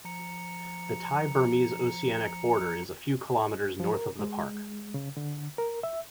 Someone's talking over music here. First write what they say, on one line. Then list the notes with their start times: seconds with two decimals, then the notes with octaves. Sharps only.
The Thai-Burmese oceanic border is a few kilometers north of the park.
0.05 F3 A#5 C#7
3.80 F3
3.93 A#4
4.19 G#3
4.94 C#3
5.17 D3
5.58 A#4
5.83 E5